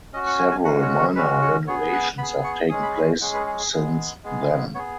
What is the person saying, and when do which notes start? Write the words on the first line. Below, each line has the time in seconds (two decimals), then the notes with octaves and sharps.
Several minor renovations have taken place since then.
0.13 C#4 F#4 D#5
0.27 F#5
0.39 G#5
0.52 G#5
0.65 G#3 C#4 F#4 F#5
0.82 C#5
0.99 C#5
1.16 G#3 C#4 F#4 B4
1.42 C#5
1.67 B3 G#4 C#5
1.93 F#5
2.18 B3 B5
2.22 G#4
2.44 C#6
2.69 G#3 C#4 G#4 D#6
2.83 B5
2.95 B5
3.21 G#3 C#4 G#4 F#5
3.34 B4
3.46 G#4
3.60 G#4
3.72 G#3 B3 G#4
4.24 G#3 B3 G#4
4.75 B3 C#5
4.79 G#4